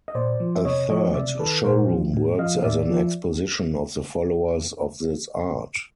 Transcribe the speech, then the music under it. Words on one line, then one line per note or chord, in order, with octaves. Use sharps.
A third show room works as an exposition of the followers of this art.
D#5
A#2 C5 D5
F3
E5
C3 C#5 D#5
F3 C#5 D#5
C3 D5 E5
D#3 A4 B4
A#2 A#4 C5
F3
A2
F3 D#5 F5
A2 D5 E5
F3